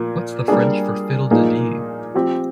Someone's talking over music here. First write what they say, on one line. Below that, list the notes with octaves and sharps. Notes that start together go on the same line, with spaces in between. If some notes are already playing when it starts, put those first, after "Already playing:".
What’s the French for fiddle-de-dee?
Already playing: A#2 F3 A#3
G3 A#3 D4 G#4
A#2 F3 A#3 D#4 G#4
F3 C4 G4